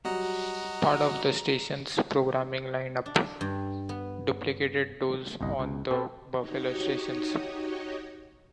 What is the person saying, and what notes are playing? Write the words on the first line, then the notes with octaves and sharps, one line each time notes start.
Part of the station's programming lineup duplicated those on the Buffalo stations.
F#3 G3 F#4 D#5 F#5 A#5
D4
G2
B3
G1 C2 D#5
C#2
B2 C4 G4 A4
D#4 F#4 G4 C#5 D#5